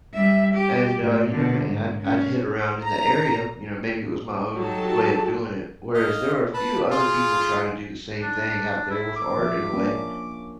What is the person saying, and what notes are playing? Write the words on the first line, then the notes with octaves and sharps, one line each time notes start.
and, uh, you know, my I'd I'd hit around in the area, you know, maybe it was my own way of doing it. Whereas there were a few other people trying to do the same thing out there with art in a way,
G3 E5
G4
A2
B2 D3
G#2
C#4
A#5
F#3 D#4 G4 A4 A5
D#5 F5
B4 A5 B5
F4 G#4
D4
E4
D6
F3 E5
A#3 C#4 D4